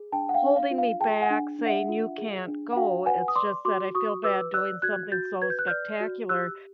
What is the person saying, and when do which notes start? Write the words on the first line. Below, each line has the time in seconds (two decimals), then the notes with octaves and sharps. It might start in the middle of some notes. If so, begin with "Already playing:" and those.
holding me back saying, "You can't go." It's just that I feel bad doing something so spectacular
Already playing: G#4
0.12 D4 G5 A5
0.29 F#5
0.34 F5 G5
0.42 D4
0.56 F5
0.71 F4
0.78 F5
1.00 G#4 G5 A5
1.22 F#5 G#5
1.30 D4
1.59 D4
1.66 E5 F#5
1.89 F4
2.18 G#4
2.47 D4
2.73 F#5
2.76 F#4 F5 G5
3.06 B4 F#5 G#5
3.28 D#6
3.36 D5 C6 D6
3.65 F#4 C6 D6
3.95 F#4 C#6 D#6
4.24 B4 D6 E6
4.54 D5 E6 F#6
4.82 F#4 F#6 G#6
5.12 F#4 G6 A6
5.42 B4 G#6
5.50 G6
5.59 F#6
5.68 D5 F6 G6
6.00 F#4
6.29 G4 E6 F#6